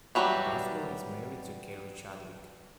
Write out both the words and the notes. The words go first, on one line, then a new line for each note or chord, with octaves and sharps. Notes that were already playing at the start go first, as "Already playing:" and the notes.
Boswell is married to Keri Chadwick.
E3 F#3 G3 D4 F#4